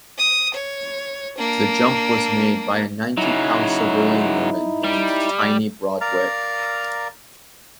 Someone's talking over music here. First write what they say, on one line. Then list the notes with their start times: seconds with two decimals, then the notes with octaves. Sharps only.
The jump was made by a ninety-pound civilian woman named Tiny Broadwick.
0.18 D#6
0.54 C#5
1.38 A#3 D4
3.17 C#3 F#3 D#4 E4
4.84 G3
6.01 A#4 D5 F5 A#5